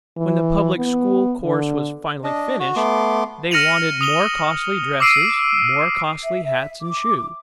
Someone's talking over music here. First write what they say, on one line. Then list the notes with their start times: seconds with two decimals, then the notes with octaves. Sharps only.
When the public school course was finally finished, they wanted more costly dresses, more costly hats and shoes.
0.17 E3
0.77 B3
1.40 D3
2.24 D4 D#5
2.59 F#4
2.76 A3 B3 C6 D6
3.51 F6 A#6 C#7 D#7 F7 F#7
4.01 D#6 F7 G7
5.00 D6 E6 C7 D7 D#7
6.24 E5
6.44 E5
6.81 D6